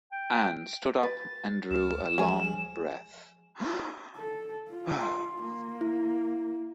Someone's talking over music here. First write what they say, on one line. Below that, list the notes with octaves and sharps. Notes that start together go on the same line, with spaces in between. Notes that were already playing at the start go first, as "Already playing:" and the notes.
Ann stood up and drew a long breath.
G5
B4 A6
D2 F6 E7
F3 G#3 G#4
A4
F4
C6
A#3
E4